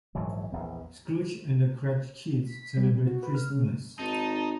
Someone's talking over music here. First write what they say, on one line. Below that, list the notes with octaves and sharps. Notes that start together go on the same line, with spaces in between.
Scrooge and the Cratchits celebrate Christmas.
A#1 G#2 E3 F#3
A#1 E2 B3
B6
G3
B2
F#4
B4
F6
C#3
G#1 D#4 A5